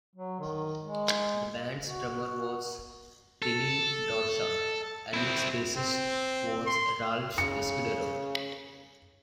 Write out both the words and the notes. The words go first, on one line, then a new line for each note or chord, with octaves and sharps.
The band's drummer was Tiny Bradshaw and its bassist was Ralph Escudero.
F#3
D#3
G#3
F#4
A4
C4 E4
C4
C6
C#3 C#7